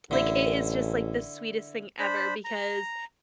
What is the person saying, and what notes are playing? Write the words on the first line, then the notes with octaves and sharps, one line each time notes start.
Like, it is just like, the sweetest thing ever because,
A1 D3 E4
D4 C5 B5
A#5